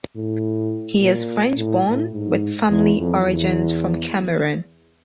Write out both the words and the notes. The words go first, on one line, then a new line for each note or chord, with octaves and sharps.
He is French borne with family origins from Cameroon.
A2
A#2
A2
A2
G#2
E2
F2
E2